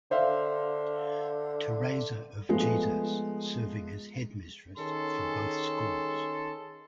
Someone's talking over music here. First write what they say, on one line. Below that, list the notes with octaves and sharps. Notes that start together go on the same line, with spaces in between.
Teresa of Jesus serving as Head Mistress for both schools.
D3 C5 E5 F5
F3 G#3 A3 B3
D#3 C#4 G#4 A4 C6